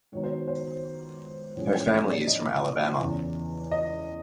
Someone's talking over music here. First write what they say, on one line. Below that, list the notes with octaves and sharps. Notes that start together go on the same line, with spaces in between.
Her family is from Alabama.
G#2 D#3 F#3 B3 D#4 C#5
C5
C5
A#1 A2 E3 G#3 C#4 C#5
C#5
C#5
D5
D#5
E2 C#3 E3
D#5